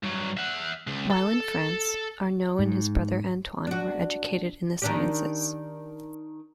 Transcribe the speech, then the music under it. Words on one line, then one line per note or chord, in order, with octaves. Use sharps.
While in France, Arnaud and his brother, Antoine, were educated in the sciences.
G2 F#3
E5 F#5
C#2
A4
G#2
D4 F#4
D#3 D4 G4